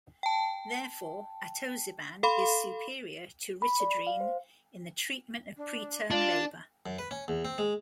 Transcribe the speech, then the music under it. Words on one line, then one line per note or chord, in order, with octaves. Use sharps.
Therefore, atosiban is superior to ritodrine in the treatment of preterm labour.
G5 A5
A4 F5 B5 C6
B5
D5
F5
C5
D4
D4 F4 D5
F#2
B4
C#4
E2
C4
G#3